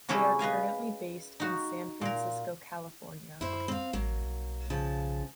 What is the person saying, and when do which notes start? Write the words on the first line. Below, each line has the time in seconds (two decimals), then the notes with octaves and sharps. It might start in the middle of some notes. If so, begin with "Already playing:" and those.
They are currently based in San Francisco, California.
0.09 C3 F#3 C#4 E4 G#4 A4
0.39 B4 D#5 F5 G#5
1.40 D#4 F#4
2.01 A#2 A#4
3.41 F#2 E4 C5
3.68 C4 F5
3.93 A1 F#3 A#3
4.21 B1
4.70 C#3 F3 A5